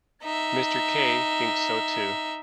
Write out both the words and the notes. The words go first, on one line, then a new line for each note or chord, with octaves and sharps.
Mr. Kay thinks so too.
D#4 E5